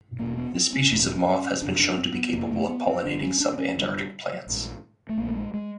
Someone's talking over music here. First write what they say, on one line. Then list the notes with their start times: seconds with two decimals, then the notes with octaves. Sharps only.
This species of moth has been shown to be capable of pollinating subantarctic plants.
0.19 E1 E2 B2 A#3
0.37 B3
0.55 C4
0.73 C#4
0.91 E1 E2 B2
1.62 F#1 F2 C3 D4
1.79 D4
1.98 C4
2.15 B3
2.33 F#1 F2 C3 A#3
2.51 A3
2.69 B3
2.87 C4
3.04 G1 G2 D3 D4
3.22 C#4
3.40 D4
3.53 C4
3.58 C#4
3.76 G1 G2 D3
4.47 A#1 G#2
5.09 A3
5.18 A#1 G#2 A#3
5.28 A3
5.36 G#3
5.54 G#3